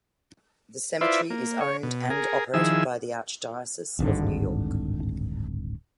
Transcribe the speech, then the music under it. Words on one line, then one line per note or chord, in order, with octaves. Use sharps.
The cemetery is owned and operated by the Archdiocese of New York.
E4 F4 B4 C5 D5 E5
A#3
C#5
B2
G#4 A#4
D#3 F3 E4 G#4 E6
D1 G#1 G2 D3